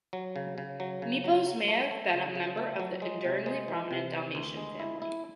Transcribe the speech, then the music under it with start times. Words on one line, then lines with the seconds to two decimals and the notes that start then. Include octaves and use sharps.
Nepos may have been a member of an enduringly prominent Dalmatian family.
0.13 F#3
0.36 C#3
0.58 C#3
0.80 F#3
1.02 C#3
1.24 F#3
1.47 F#3
1.68 A3
1.91 A3
2.13 C#3
2.35 C#3
2.57 A3
2.80 F#3
3.02 G#3
3.25 C3
3.46 G#3
3.68 E3
3.91 C3
4.13 E3
4.35 D2
4.57 G#3
4.79 E4
5.02 E4